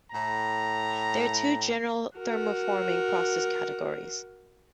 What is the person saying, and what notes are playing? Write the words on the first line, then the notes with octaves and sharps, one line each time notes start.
There are two general thermoforming process categories.
A2 A#5
F#4 A#4